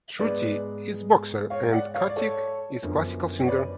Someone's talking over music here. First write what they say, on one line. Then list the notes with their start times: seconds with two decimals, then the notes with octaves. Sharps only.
Shruti is boxer and Kartik is classical singer.
0.19 G#2 G#3 B3 B4 D5
1.50 C#5 F5
1.72 D5 F#5
1.94 C#5 F5
2.09 D5
2.16 A4 C#5
2.82 F#2 D3 F3 B3
3.41 C#5
3.47 B4 D5